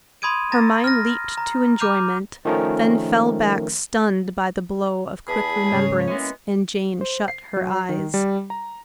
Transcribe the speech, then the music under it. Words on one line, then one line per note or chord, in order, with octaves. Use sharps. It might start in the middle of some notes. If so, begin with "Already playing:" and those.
Her mind leaped to enjoyment, then fell back stunned by the blow of quick remembrance, and Jane shut her eyes.
B5 C6 D#6 G#6 D7 D#7
A#5 A6 A#6
F6 A#6
A#5
A#5 D6 F6 G6 D#7 F7
D#3 F3 A3 C#4 A#4
E2 G#4 A5 B5
G#2 C#3 C#5
E3 G#3 A#3 B3 C#4
C5
C7
F#3
D#3
G3
A#5